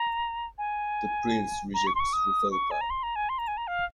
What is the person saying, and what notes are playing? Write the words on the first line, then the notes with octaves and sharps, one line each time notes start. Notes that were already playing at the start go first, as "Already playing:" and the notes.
The prince rejects Rusalka.
Already playing: A#5
G#5
A#5
C#6
C6
C#6
D#6
C#6
G#5
A#5
C6
A#5
G#5
C6
A#5
G#5
A#5
F5